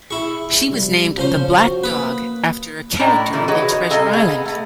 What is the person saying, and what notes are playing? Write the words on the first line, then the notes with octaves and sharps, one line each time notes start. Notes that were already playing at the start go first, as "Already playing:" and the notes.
She was named The Black Dog after a character in "Treasure Island".
E4 G#4 C#6
C3 G3
C#3 F3 C#4 C5
F#4
A#3 B4 D#6
A2 C#4 D4 D#5 G5 A#5
A#2 D3 E3 G3
F#4 G#4 B4 C#5 D#5
C3 A4 D#5 F5 G#5
B3 G#4 F#5
A3